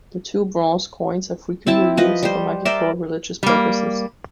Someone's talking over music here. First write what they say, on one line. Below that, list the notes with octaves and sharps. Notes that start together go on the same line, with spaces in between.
The two bronze coins are frequently used for magico-religious purposes.
C4 E4 A5
F3 B4 D#5
G3 C5
A#4 C5 D5 E5
G3 A#3